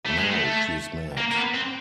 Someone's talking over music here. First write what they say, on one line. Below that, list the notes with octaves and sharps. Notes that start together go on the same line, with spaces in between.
Now she's mad.
A3
G#3
A3
A#3
A#3
B3
C4